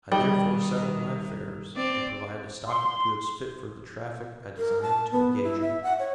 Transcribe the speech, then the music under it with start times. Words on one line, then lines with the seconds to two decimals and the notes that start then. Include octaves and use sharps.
I therefore settled my affairs, and provided a stock of goods fit for the traffic I designed to engage in.
0.12 D#3 G3 D#4
1.76 C4 D5
2.67 C6
4.58 A#4
4.82 A5
5.12 B3
5.43 E4
5.60 E5
5.83 F#5
5.99 C#5